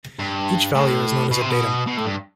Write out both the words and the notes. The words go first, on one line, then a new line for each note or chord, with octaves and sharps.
Each value is known as a datum.
G2
A2
B2
C3
B2
B2
A2
G2